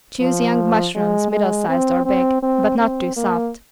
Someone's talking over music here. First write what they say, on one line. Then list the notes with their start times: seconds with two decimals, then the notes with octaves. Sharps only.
Choose young mushrooms middle sized or big, but not too soft.
0.21 F3
0.95 G#3
1.31 G#3
1.69 C4
2.05 C4
2.43 C4
2.79 C4
3.16 A#3